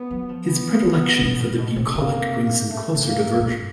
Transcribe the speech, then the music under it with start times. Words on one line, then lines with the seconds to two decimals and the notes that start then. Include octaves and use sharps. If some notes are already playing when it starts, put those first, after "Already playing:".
His predilection for the bucolic brings him closer to Virgil.
Already playing: B3
0.11 F#3
0.29 F3
0.47 E3 B3
0.84 E3
1.21 B2
1.40 A#2
1.58 B2
1.76 C3
1.95 C3 A#3
2.69 A3
2.94 A2
3.07 A#3
3.18 G#2
3.39 G#2
3.43 G2